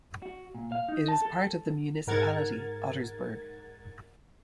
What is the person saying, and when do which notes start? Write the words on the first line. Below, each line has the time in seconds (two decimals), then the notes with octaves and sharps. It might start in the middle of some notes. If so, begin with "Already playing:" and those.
It is part of the municipality Ottersberg.
0.22 F#4
0.55 A#2
0.72 F5
0.89 D#4
1.08 A5
1.22 A4
2.07 G#2 A#4 F#5 G#6 A6